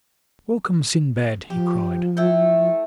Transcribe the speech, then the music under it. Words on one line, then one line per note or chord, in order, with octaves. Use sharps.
"Welcome, Sindbad," he cried.
F3 G4
A3 E4 G5